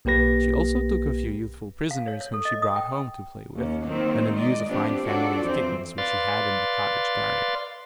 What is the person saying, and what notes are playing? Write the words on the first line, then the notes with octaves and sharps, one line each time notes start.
She also took a few youthful prisoners, whom she brought home to play with and amuse a fine family of kittens, which she had in the cottage garret.
B1 A#3 G4 B4 A#6
F5
C#5
C#5
A4
D#5
D#6
G5
D#2 C#4
D#3 F#3 A#3 C4
G#3 D5 D#5
F3 B3 C4 D4 F4 G4
D4 F4 F#4 A4 C#5 D5
F2 E3 C4 C5
B4 D5 F5 C6 A6